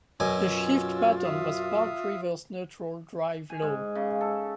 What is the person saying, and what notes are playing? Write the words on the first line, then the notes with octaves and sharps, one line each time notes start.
The shift pattern was Park-Reverse-Neutral-Drive-Low.
F#2 B2 C#4 C#5 G#5 E6
F4
E5 F5 D#6
G#5
G#2
C#3
A4